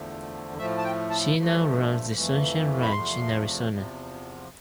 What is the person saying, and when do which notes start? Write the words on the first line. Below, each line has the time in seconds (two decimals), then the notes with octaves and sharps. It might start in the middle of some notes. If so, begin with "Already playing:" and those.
She now runs the Sunshine Ranch in Arizona.
Already playing: E2 D3 F3 A3
0.57 A2 F3 A3 E5
0.78 A5
0.84 G5
1.10 A5
1.36 G2 F3 A3
2.14 F2 E3 A3
2.81 B5
2.92 E2 C3 F3 A3 C6
3.70 E2 C3 F3